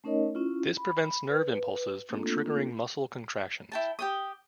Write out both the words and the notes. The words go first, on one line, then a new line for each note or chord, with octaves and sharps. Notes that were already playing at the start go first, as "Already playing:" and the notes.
This prevents nerve impulses from triggering muscle contractions.
A3 C#4 D#4 A#4 C#5 D#5
C#4 E4 F4
B5
B4
A3 A#3 C4 D4 F4 A4
E4 G5 A5
G4 G5 D#6